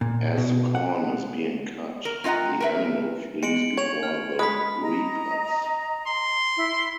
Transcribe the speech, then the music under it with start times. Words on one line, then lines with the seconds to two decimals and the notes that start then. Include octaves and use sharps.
As the corn is being cut, the animal flees before the reapers.
0.01 A#2
0.38 B2
0.75 F#5
2.05 A#4
2.24 C4 F4 D#5 F#5 A#5
2.61 A#4 B4 E5
3.43 G#3 C#7 D7 F#7
3.62 D7
3.77 C#5 G#6 F7
4.03 F6
4.39 G#3 A4 B5 D#6 B6
4.81 D#5 A#5
6.07 C6
6.56 E4